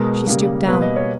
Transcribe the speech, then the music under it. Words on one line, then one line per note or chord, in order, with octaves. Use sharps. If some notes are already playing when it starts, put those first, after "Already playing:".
She stooped down.
Already playing: B2 G#3 B3 A#4
C#3 G3 A#3
B2 G3 A#3 B4
D#5
C#5